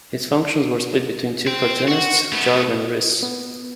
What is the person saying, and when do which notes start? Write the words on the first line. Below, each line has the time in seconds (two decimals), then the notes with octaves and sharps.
His functions were split between two cartoonists, Charb and Riss.
1.47 C5 G5
1.88 F#4
2.33 A3 B3
3.23 B3